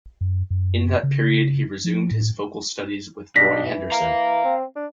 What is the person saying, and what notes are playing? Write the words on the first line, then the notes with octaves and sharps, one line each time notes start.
In that period he resumed his vocal studies with Roy Henderson.
F#2
F#2
C#3
F3
A2
B1 D4 A#6 B6
E3
F5 A#5
C4
D4